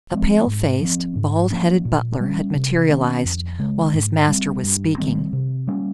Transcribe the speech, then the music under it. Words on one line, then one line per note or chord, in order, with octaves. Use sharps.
A pale-faced, bald-headed butler had materialized while his master was speaking.
F3 G#3 C4
G#2
F3 C4
G#2
F3 A#3 C#4
A#2
G3 C#4
C3
D#3 A#3 C#4
F2
C#3 G#3
G#2
G3 C4
G2
D#3 G3 C4
C3
G3 A#3 C#4